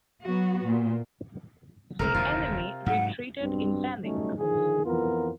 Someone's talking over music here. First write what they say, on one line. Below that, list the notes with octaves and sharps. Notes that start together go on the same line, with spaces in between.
The enemy retreated in panic.
F#3 B3 F#4
A#2
F#1 C2 C3 A#4
D#1 F#2 D3 F4
G#2 F#3 F#5
B1 G2 B2 C4
F#3 G3 A3 C#4 D#4
D3 D#3 F3 G#4
F2 E3 B3 F4 A#4